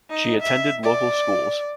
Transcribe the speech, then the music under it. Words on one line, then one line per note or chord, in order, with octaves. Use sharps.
She attended local schools.
D#4
E5
D5